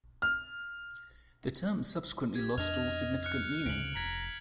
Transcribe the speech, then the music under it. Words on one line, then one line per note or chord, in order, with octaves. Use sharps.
The term subsequently lost all significant meaning.
F6
G4 G#6
F2 D4 D#5 F6 F7
F6 F#6 C#7
D2 C#3 D7 F#7
F1 A#5 G#6 B6 F#7